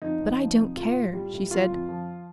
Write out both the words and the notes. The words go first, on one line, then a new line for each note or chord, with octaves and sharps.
"But I don't care!" she said.
F2 D#4
F2
F3
C3
A2 F4
A2
G3
A2
F3 F4
F2
F3